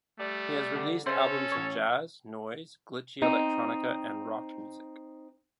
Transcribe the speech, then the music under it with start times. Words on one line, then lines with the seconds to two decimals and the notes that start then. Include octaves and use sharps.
He has released albums of jazz, noise, glitchy electronica and rock music.
0.19 G3 A3 D5
0.76 D3
1.06 C#3 C#4 A4 C5 E5
1.52 A1 C#5
3.22 C4 D#4